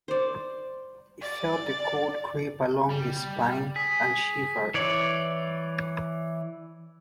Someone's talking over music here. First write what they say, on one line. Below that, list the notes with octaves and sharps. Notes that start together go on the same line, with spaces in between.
He felt the cold creep along his spine, and shivered.
C5 D5
D5
G3
G#4 B6
E3 C#5 D5